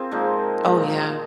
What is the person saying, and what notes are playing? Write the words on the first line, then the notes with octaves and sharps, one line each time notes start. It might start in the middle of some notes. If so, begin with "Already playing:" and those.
Oh yeah.
Already playing: C4 F4 G#4 A#4
A#2 F3 G#3 A#3 D#4
A#2 F3 G#3